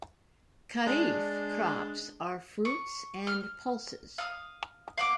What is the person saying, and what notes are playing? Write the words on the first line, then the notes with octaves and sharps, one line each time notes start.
Kharif crops are fruits and pulses.
G#3 D4
C#6
F6
F5 D#6
F5 F#5 D6